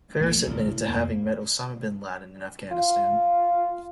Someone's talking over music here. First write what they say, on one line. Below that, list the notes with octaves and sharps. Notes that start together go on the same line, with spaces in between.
Faris admitted to having met Osama bin Laden in Afghanistan.
A#1 F3 A3 A#3
E1 B1
D#1 C2
A2
D#1 G#1 F2 A#3
F4